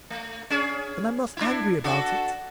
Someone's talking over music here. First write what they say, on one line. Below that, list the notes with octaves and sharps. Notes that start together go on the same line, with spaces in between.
And I'm not angry about it.
A3
C#4 G#4
D4 E4
D4 F#4 A4